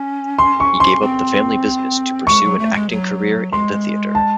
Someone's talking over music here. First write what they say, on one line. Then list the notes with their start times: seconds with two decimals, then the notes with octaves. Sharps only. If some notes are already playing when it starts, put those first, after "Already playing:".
He gave up the family business to pursue an acting career in the theater.
Already playing: C#4
0.38 C6
0.60 C#6
0.80 C6
1.01 C4
2.27 G#3 C#6
2.43 F#3
2.59 A3
2.74 G#3
2.90 F#3
3.52 G#3 C6
4.15 A5